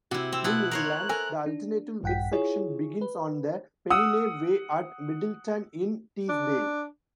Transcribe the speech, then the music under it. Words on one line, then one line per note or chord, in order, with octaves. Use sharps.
In England, the alternative midsection begins on the Pennine Way at Middleton-in-Teesdale.
C3 E4 F#4
C4 E6
B2 E4 A5 F#6
A#4 C5 C#5
A4 A#4 G#5
D4
A#1 G2 F#5 G5 B6
E4 F4 G#4 C#5
B4
F#5 D#6 E6
D4